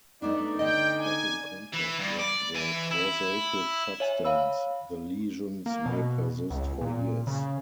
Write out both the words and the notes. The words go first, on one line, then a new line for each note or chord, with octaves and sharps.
Upon stopping contact with the causative substance, the lesions may persist for years.
A3 B3 D4 D#4 D5
D3 D#5 G5
G#5
E3
G2
D5
E3 G#5
E4
C#5 E5 G#5
C#5 F5 B5 E6
A#3
B2
C#2
A#2
C#3